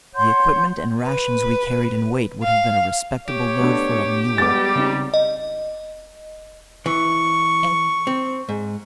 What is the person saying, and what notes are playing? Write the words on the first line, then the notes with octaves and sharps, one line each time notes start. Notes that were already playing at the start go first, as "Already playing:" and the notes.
The equipment and rations we carried in weight would have been a respectable load for a mule.
C#5 F#5 C6 G6
B4
F5
G4 C#5
A3 B3 D4
G3 G#3 B3 D6 A6
C#3 C4 D#4
D#5
E3 C#6
C4
G#2